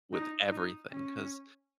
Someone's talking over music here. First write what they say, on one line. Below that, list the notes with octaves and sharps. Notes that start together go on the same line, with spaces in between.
with everything 'cause,
D#4
D#4
C#4